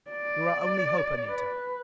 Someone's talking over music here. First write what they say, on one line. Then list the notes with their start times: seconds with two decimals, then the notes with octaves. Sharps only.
You're our only hope, Anita!
0.11 D5
1.30 B4